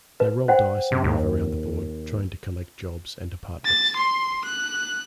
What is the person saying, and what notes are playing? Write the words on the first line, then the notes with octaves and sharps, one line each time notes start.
They roll dice and move around the board, trying to collect jobs and apartments.
B4
C5 F#5 G5
C3
D#2
A6
C6
F#6